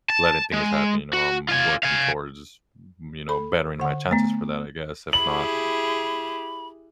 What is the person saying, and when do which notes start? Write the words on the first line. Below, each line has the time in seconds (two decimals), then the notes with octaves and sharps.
letting things happen, you know? I'm working towards, you know, bettering my chances for that, I guess. If not,
0.10 A5
0.53 G#3
1.13 F#4
1.48 F4 G#5
1.83 F5 G#5
3.29 A4 B5
3.80 D3 F#5
4.11 A3 B3
5.13 E4 G4 G#4 B5 F#7